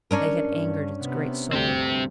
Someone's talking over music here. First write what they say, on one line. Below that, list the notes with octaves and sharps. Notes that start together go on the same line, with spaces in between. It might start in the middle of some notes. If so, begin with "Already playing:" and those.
They had angered its great soul.
C#4 D4 A#4
G2
C3 B3
D2 G2 A3 C4 G4